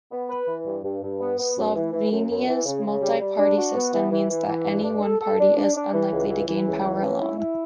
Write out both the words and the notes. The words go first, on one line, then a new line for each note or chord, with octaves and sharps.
Slovenia's multi-party system means that any one party is unlikely to gain power alone.
B3
B4
E3
G2
G2
G2
B3
B3
F#2
E3
E3
F#2
F#2
E3
C#3
C#3
G3
G3
D4
F#4
B3
E3
E3
E3
E3
G2
D4
A4
A4
D4
D4
D4
E3
C#2
E3
E3
C#2
E3
C#4
E4
E4